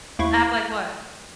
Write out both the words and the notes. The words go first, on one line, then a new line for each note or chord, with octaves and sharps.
App like what?
D#2 A3 E4 F5 C#6